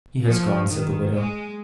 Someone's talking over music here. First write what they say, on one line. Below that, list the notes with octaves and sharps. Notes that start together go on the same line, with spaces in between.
"He has gone," said the widow.
F3
D#3
G#3